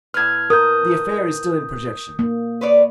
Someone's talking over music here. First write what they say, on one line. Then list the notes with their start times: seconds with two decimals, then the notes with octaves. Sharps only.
"The affair is still in projection."
0.14 A2 B4 F6 G#6
0.50 A#4 D#6 G6
2.19 A#3
2.61 B4 C#5 D5